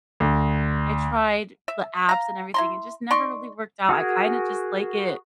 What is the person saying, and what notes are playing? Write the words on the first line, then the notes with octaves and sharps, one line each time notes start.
I tried the apps and everything, it just never really worked out, I kinda just like it
D2
E5
F5 A#5
E4 A#5 C6
D#4 D5 C6 C#6
F#4 G#4 A#4 G#5